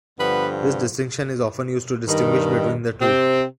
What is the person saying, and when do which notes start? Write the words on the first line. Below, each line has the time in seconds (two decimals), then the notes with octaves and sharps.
This distinction is often used to distinguish between the two.
0.18 G2 D3 F3 B3 B4
2.07 G2 D#3
3.01 C3 C4